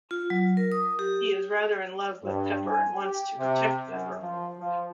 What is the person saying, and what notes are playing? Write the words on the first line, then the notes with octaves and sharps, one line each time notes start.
He is rather in love with Pepper and wants to protect Pepper.
F4
F#3
A#4
D#6
G4
G2
G#5
G4
C3
F#2
F3
F3